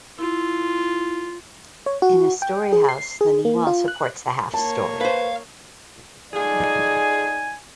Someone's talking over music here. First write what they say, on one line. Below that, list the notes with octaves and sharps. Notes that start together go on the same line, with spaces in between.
In a -story house, the knee wall supports the "half story".
E4 F4
C#5
F#4
G5
G#4
C7
G#4
A#3
F4
F#6
A#3 C#5 A5
B4 C5 F5
A3 D#4 F4 G#4 D5 G#5